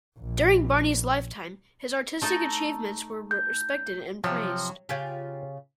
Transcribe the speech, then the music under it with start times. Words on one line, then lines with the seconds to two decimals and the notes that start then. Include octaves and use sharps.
During Barney's lifetime, his artistic achievements were respected and praised.
0.19 A#1
2.21 A3 D#4 A4
3.31 G6
4.24 C3 F3 F#3
4.89 C#3 F4 G4 G5 G#5